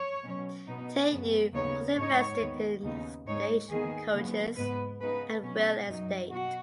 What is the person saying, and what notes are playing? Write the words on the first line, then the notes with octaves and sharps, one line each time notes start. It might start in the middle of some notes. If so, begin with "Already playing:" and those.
Tilyou also invested in stagecoaches and real estate.
Already playing: C#5
B2 F#3 C#4
B2 B3 D#4
F#2 C#3 B3
D#2 C#3 B3 D#4 C#5
G#2 G#3 D#4 C#5
D#2 D#3 B3
D#2 C#3 B3 D#4
G#2 G#3 D#4 C#5
D#2 D#3 B3 G#4
D#2 C#3 F#3 B3
G#2 G#3 B3 B4
C#3 B3 D#4 B4
B2 F#3 C#4
F#2 F#3 D#4
B2 F#4